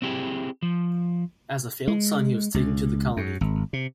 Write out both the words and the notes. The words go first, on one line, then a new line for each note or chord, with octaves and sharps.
As a failed son he was taken to the colony.
C4 E4 G4 G#4
F3
G#3
C#2
F#2
G#1
C3